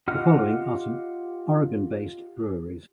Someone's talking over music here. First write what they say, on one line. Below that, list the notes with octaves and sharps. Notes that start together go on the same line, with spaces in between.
The following are some Oregon-based breweries.
F4 G4 D#5 F#5 F6